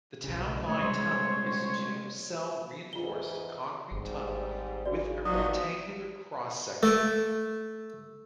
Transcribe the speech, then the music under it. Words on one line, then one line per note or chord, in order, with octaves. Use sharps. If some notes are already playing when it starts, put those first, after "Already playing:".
The Townline Tunnel is a two-cell reinforced concrete tunnel with a rectangular cross-section.
B1 C#3
D#3 A3 C#5 D#5
C3 G3 G#3 C5
E2 G#2 F4 G7
G#1 G#2 G3
C#3 F#4 D5
F3 F#3 D#4 D5 D#6
A3